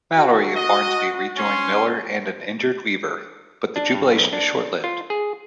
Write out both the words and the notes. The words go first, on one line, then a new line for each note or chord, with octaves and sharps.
Mallory and Barnsby rejoin Miller and an injured Weaver, but the jubilation is short-lived.
F#4
D#5
C#4 C6
D4
G2
B1
D4
F4
G#4